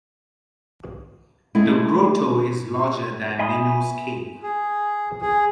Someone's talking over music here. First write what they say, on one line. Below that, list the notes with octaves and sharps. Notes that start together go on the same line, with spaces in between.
The grotto is larger than Ninu's Cave.
G#3 A3 E4
E5 G#5 B5 C6 D#6
G#4
G#4